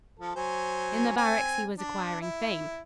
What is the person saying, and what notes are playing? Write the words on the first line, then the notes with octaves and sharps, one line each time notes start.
In the barracks he was acquiring fame.
F3 A4
F#3 C5 G#5
C4 G#5
D4
E4